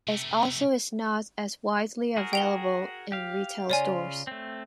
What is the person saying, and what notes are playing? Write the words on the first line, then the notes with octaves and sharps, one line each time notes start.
It also is not as widely available in retail stores.
C3 A3
F#4 G#4 A#4
G5 F7 G7
G4 F5
C#3 F4 C#5 D5 G#5
A3 C4